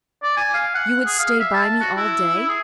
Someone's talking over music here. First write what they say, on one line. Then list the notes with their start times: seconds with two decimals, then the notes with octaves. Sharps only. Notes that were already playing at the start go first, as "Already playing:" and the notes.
"You would stay by me all day?"
0.23 D5
0.37 G#5
0.54 F5
0.75 F#5
1.06 G#4
1.19 F5
1.40 E5
1.53 A5
1.81 F#4
1.97 E4
2.48 G#4